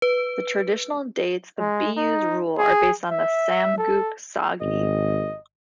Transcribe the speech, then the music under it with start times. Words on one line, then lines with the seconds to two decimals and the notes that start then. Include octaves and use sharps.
The traditional dates of Biyu's rule are based on the "Samguk Sagi".
0.02 B4
1.59 G#3
1.97 D#4
2.58 G#4
3.11 E5
3.78 A4
4.61 G#1 D#5